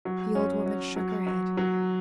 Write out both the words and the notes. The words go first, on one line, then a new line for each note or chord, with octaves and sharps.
The old woman shook her head.
F#3
C#4
F#3
F#3
F#3
F#3